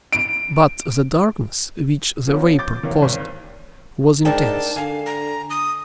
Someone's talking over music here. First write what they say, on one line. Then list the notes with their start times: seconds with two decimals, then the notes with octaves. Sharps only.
But the darkness which the vapour caused was intense.
0.13 D7
2.27 F3 B3 C#4
2.59 D6 G6 A6
2.83 D#3 E3 A#3 C#4
3.02 G#1 D#2
4.25 G#2 D4 A#4 G5 A5
4.76 D3 F5 G#5
5.06 A#5
5.50 D#6